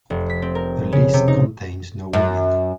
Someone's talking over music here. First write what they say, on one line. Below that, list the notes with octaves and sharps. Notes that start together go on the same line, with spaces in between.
The list contains no women.
F1
B6
C4
A#4
C#3
C3
D#4
F#2